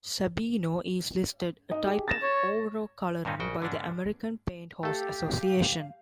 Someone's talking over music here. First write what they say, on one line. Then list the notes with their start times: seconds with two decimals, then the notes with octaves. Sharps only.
"Sabino" is listed a type of overo coloring by the American Paint Horse Association.
1.71 D#4
1.86 G4 G#4
2.08 A6 A#6 E7
2.23 C#5
3.25 G2 A#2 C4 C#4 D#4
3.40 A#1 C#3 F#4 G5
3.60 G#2 D3 C#4 D4
4.83 A3 G4 A4 F5